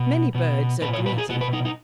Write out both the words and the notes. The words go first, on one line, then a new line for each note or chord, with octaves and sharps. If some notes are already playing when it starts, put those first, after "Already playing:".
Many birds are greedy.
Already playing: B2
B2
A#2 B4
C#5
B4
G#4
B2 F#4
B4
D#4
D#4